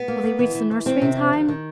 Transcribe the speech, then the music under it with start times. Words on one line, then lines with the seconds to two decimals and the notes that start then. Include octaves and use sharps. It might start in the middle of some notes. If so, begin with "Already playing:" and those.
Will they reach the nursery in time?
Already playing: B3
0.08 A#3
0.24 A#3
0.39 E3
0.55 E3
0.71 E3
0.86 D#3 C4
1.02 C3
1.17 F2
1.33 D#3
1.48 D#3